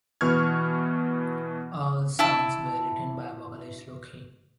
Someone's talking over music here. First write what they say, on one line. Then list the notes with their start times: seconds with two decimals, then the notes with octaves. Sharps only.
All songs were written by vocalist Ruki.
0.21 B2 E3 C#6 F6 G#6
2.19 E4 A5 E6